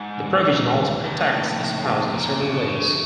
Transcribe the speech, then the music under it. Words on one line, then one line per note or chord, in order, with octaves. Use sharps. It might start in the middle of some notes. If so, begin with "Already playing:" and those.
The provision also protects a spouse in several ways.
Already playing: G#2
D#2 D#3 G3
E1
D#2 D#3 G3
C#2 A2
C3 F3 A#3 D#4
C#2
C3 F3 A#3 D#4
F2 A#2
B2 D3 F#3 A3
F2 C#3